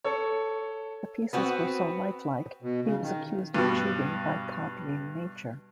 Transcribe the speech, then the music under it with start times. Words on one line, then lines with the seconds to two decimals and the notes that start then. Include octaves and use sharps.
The pieces were so lifelike, he was accused of cheating by copying nature.
0.04 A4 C#5
1.33 B3 C4 F#4
2.62 B2
2.85 C#3
3.02 D#3
3.54 G2 B2